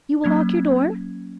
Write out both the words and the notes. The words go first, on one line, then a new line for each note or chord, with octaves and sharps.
You will lock your door?'
F#3 A#3 C#4 G#6